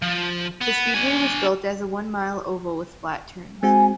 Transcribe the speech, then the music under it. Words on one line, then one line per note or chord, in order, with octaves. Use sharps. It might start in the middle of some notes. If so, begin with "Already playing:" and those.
The speedway was built as a one-mile oval with flat turns.
F3
B3
D4 G#5
G#3 C4 F#4 G#5